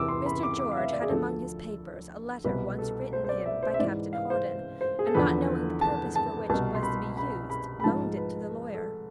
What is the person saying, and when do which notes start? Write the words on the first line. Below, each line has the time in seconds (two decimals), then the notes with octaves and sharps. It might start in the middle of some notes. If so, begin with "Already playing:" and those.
Mr. George had among his papers a letter once written him by Captain Hawdon, and not knowing the purpose for which it was to be used, loaned it to the lawyer.
Already playing: E2 C3 E3 D6 E6
0.08 C6
0.26 B5
0.43 D6
0.59 D6
0.71 F5
0.77 E5
0.93 D5
1.02 G#4
1.09 D2 D3 F3 A4
2.45 C2 B2 B4
2.79 A4
3.13 C5
3.25 C5
3.29 D5
3.46 E5
3.63 C5
3.74 E5
3.79 G#2 D5
3.84 E3
4.13 F5
4.30 C5
4.81 C5
4.99 G#4
5.07 A4
5.15 E2 D3 F3 B4
5.81 A5
6.16 A5
6.50 C2 B2 A5
6.75 C6
6.83 B5
7.17 B5
7.50 B5
7.80 B5
7.84 G#2 F3 A5
8.17 B4
8.75 A4